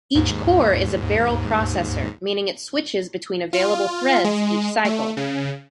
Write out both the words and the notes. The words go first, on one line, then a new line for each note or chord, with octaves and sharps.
Each core is a barrel processor, meaning it switches between available threads each cycle.
D#2 G#2
F4
G#3
A3
C#3